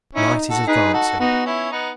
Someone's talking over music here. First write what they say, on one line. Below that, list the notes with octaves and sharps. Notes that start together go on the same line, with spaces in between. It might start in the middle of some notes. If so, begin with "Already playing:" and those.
Night is advancing.
C#4 D#4 E4
F#4 A4
D#4 G#4 B4
F#4 A4
B3 D#4 F#4
C#4 E4
B3 D#4